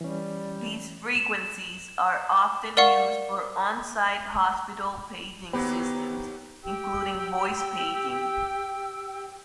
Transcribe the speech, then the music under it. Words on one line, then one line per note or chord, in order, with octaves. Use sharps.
These frequencies are often used for on-site hospital paging systems, including voice paging.
E3 G3 C#4
E7
A#4 D5 F5 F#5 C#6
D#2 F#3 B3 G4 C5 G5 B5
G4 G5 E6